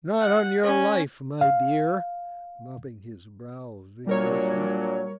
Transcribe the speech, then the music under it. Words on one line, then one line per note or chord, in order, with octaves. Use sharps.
"Not on your life, my dear," mopping his brow vigorously.
F#5
C#4
F5
A#2 F#3 G3 D4 A#4 C#5